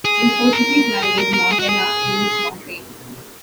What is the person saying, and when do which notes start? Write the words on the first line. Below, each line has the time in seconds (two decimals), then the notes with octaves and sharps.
In the Portuguese language, "montanha" means "mountain".
0.05 G#4
0.53 A#4
1.02 G#4
1.18 A#4
1.34 A#4
1.51 G#4
1.59 F#4
1.69 G#4